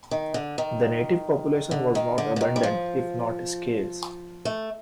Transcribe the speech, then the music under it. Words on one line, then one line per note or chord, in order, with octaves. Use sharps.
The native population was not abundant, if not scarce.
D#3
D3
D#3
D3
D#3
D3
D3
D#3
G3
F3
A3